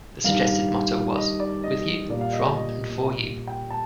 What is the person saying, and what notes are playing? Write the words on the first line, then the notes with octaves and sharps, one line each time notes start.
The suggested motto was: "With you, from and for you".
G2 D#3 G3 F5
D#5
D5
D#5
A#2 G3 A#3 D5
F5
D#5
D5
D#5
G5
A5